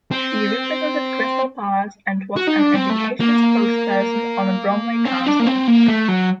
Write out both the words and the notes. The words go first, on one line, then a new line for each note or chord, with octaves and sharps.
She represented Crystal Palace and was an education spokesperson on Bromley Council.
C4
F#4
D#4
D4
C4
A3
A#3
C4
D4
A#3
C4
A#3
A3
F#3